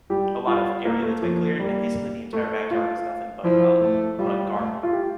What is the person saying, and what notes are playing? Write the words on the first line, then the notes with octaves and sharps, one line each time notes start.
a lot of area that's been cleared, and basically the entire backyard is nothing but, uh, but garden.
G3 G4
G3 F4
A3 A#3
A3
F3 A#3
G3 A#3
A3
A3 F4
F3 E4
A3
G3 F4
A3
F4
G4